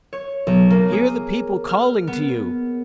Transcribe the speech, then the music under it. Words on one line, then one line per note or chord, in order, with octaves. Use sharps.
"Hear the people calling to you!"
C#5
B1
A#3
G#4
F6
B3